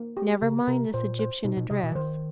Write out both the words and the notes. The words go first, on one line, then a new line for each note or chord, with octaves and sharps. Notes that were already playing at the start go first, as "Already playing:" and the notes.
Never mind this Egyptian address.
Already playing: A#3
G4
C#3 A#4
C3 A#4
A#2 C5
C5
B2 D#4
B2
C3 D#5
B2
E3
D#3 C5